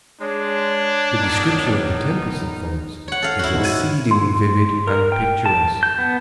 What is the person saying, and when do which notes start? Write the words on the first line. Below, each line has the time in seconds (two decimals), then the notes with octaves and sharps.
The description of the tempest that follows is exceedingly vivid and picturesque.
0.21 G#3 D4 C#5
1.22 D#3 B3 D#4
3.08 C#5 F#5
3.22 A4 F5
3.39 E4 F#4
3.53 D#1 G#2
3.64 E6 G#6 D#7
4.11 C6
4.87 A#4
5.12 G5
5.46 A5
5.83 G6
5.98 B3